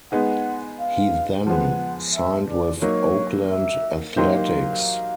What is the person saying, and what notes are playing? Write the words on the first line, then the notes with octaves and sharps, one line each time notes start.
He then signed with Oakland Athletics.
G#3 B3 D#4 G#4 F#5
F5
F3 G#3 B3 F#5
E5
D5
F#3 A#3 D#4 C#5
E5
F#3 A#3 D#4 G4 C5 F5